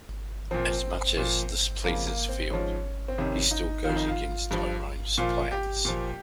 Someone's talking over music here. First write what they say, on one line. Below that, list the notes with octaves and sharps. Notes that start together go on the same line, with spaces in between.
As much as this pleases Field, he still goes against Tyronne's plans.
A#2 F3 C4
A#2 F3
F2 C#3 F3 A#3
A#3
C4
G#2 F3 C#4
C4
F2 C3 D#3 C#4
D#4
F2 D#3 F4
D#4
F4
G2 F3
A#2 F3 F4
G4
A#2 F3